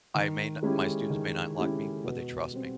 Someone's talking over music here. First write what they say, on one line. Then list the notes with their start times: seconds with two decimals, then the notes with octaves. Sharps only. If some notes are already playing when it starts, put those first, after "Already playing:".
I may not my students may not like me, but they trust me.
0.15 D#3
0.63 G#3 C#4 E4 G4
1.10 D#3
1.57 G#3 C#4 E4 G4
2.04 B2
2.52 G3 C4